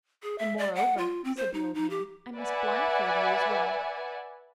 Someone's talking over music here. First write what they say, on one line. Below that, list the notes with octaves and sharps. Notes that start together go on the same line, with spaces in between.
"And moreover," said the old man, "I must blindfold you as well."
G#4
E5
D5
F#5
F4
C4
C5
D#4
D#4
G4
B4 D5 E5 F#5 G#5